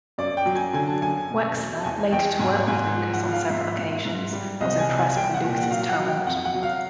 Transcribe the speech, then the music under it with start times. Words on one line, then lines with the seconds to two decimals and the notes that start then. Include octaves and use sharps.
Wexler, later to work with Lucas on several occasions, was impressed by Lucas' talent.
0.18 F#2 D5
0.37 G5
0.46 F#3
0.55 G#5
0.73 D3 G#5
0.87 A5
1.01 F#2 G#5
1.30 B2
1.57 E2
1.80 A5
1.84 E2 G#5
2.11 E2 G5
2.39 G#2 G#5
2.67 G#2 G#5
2.95 F3
3.13 F#5
3.23 F3
3.32 F5
3.50 G#2 E5
3.78 G#2
4.05 G#2
4.33 G3
4.61 C2 D#5
4.79 G#5
4.89 C2
4.98 G#5
5.16 C2 G5
5.34 F#5
5.44 A#2
5.53 G5
5.63 F#5
5.71 F#3 F5
5.89 F#5
5.98 F#3
6.08 G5
6.26 F2 F#5
6.45 F#5
6.54 F#3
6.63 F5